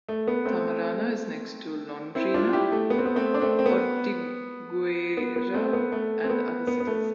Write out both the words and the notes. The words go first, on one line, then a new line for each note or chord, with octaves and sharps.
Tamarana is next to Londrina, Ortigueira and other cities.
A3
B3
A3 C4
C4 E4
D4 F4
E4 G4
A3
B3
C4
B3
A3 C4
D4
A3 C4
C4
B3
B3
B3
A3 C4
B3
A3
C4
B3
B3
B3
A3